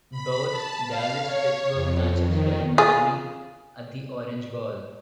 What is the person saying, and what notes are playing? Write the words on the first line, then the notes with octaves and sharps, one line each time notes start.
Both Dallas-Pittsburgh matchups were in Miami at the Orange Bowl.
B5
A5
F5
C#5
F2
D#3
F4 G#4